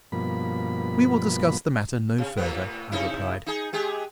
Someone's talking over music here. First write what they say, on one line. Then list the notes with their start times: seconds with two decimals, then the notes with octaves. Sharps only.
"We will discuss the matter no further," I replied.
0.12 G2 B2 F3 A#3 B5
2.18 C3
2.37 A2 C3 B3
2.92 C3 D#4 E4
3.46 D#4 G#4
3.73 G#3 G4 G#4